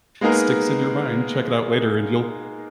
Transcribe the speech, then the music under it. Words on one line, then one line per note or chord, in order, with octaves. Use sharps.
sticks in your mind, check it out later and you'll
G#3 A#3 B3 D#4 G#4 A#4